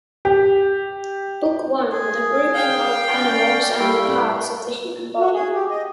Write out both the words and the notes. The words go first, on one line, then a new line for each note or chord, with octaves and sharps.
Book One The grouping of animals and the parts of the human body.
G4
G#4
F5 G5
C#4 D5
G3 A3 E4
F#4
G#4
G4
D#5